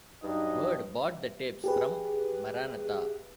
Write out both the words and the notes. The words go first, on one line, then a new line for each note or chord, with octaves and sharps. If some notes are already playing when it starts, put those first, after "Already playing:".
Word bought the tapes from Maranatha!
G2 F#3 D#4 D#5
G4 G#4 B4